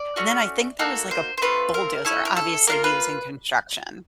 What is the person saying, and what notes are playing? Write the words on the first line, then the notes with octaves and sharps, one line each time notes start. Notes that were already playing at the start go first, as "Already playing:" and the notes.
And then I think there was like a bulldozer. Obviously, he was in construction.
Already playing: D5
A3 C#4 F#4
A#3 D#4 F#4 A4
C5
C5
A3 C4 F4 B4
A#4
C#4 E4 A4
A#4
A4
A#3 D4 F4 A#4
B4